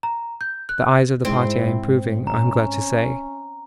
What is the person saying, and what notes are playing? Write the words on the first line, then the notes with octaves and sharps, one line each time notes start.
The eyes of the party are improving, I am glad to say.
A#5
G6
F#6
G#2 G#3 C4 E4
C#4 A#5